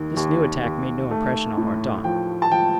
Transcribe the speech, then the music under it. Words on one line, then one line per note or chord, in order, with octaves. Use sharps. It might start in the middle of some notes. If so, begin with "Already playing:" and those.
This new attack made no impression on Mordaunt.
Already playing: D#2 D#3
D#2
D#2
A3
A2
F3 G5
A5
F3 G5